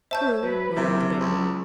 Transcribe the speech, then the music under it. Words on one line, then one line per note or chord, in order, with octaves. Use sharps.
"True," muttered the Bear.
C5 C#5 E5 A5 G6
F#3 B4
F#1 C3 F#3 E4 A#4
C#2